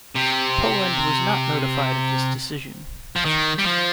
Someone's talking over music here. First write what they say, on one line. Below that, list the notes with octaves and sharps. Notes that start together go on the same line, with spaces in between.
Poland was not notified of this decision.
C3
F3
D#3
G3
F3